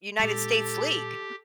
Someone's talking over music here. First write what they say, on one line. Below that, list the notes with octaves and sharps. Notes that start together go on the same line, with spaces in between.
United States league,
A#2 G#3 G4 A4